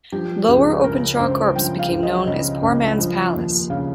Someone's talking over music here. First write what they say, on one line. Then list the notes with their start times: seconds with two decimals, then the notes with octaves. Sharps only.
Lower Openshaw corps became known as 'Poor man's Palace'.
0.12 F3 G4
0.48 C#2 G#4
0.84 C#3 A#4
1.20 C#2 C5
1.56 F3 G5
1.79 F5
1.91 C#2
2.03 D#5
2.27 C#3 D#5
2.63 C#2
2.99 F3
3.34 D#2
3.70 C#3 F5